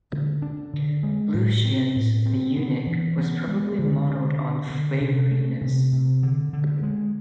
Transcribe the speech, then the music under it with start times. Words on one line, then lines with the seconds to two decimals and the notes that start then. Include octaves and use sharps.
Lucian's "the Eunuch" was probably modeled on Favorinus.
0.13 D3
0.42 D4
0.73 D3
1.03 G#3
1.34 A2
1.65 C4
1.96 A2
2.26 C4
2.57 B3
2.87 E3
3.18 B3
3.48 G#3
3.78 D3
4.09 D3
4.39 D4
4.70 D3
5.01 C3
5.31 A3
5.61 C3
5.93 C3
6.23 D3
6.53 D3
6.83 G#3